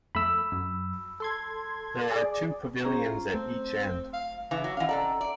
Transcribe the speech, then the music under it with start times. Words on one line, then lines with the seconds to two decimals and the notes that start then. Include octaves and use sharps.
There are two pavilions at each end.
0.15 F2 A3 B5 E6
0.52 F#2
1.20 A4 C6 G#6
2.12 G#4 D5
2.84 C#4 G#4 C5 A#5
3.05 F4
3.34 A3 C4
4.14 F5
4.51 C#3 E3 D6
4.64 F#3
4.77 E3 C#4 D#5 F5 F#5
4.89 C3 A4 D5 A#5
5.21 D5 E5 D7